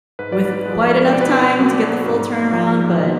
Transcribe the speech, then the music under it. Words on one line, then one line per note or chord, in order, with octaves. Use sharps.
with quite enough time to get the full turnaround, but
G#2 B4
D5
B4
F3 G#3
B2 D5
B4
D5
F#3 A#3
G#2
F3 G#3
B2